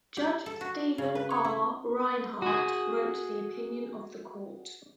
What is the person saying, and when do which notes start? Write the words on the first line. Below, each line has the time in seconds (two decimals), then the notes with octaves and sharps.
Judge Stephen R. Reinhardt wrote the opinion of the court.
0.17 G4
0.46 A4
0.61 F#4
0.98 C#3
1.15 B4
1.30 C#5
1.45 E4
2.42 F#4 G#4